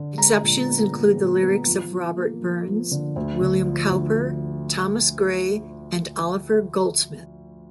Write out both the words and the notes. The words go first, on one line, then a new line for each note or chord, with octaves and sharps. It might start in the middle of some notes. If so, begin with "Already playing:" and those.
Exceptions include the lyrics of Robert Burns, William Cowper, Thomas Gray, and Oliver Goldsmith.
Already playing: D3
G#3 A#5
A#2
B3
A#2
A#2
B3
F3
F3
A#3
F3
F3
D3
D2
D3
F3
D2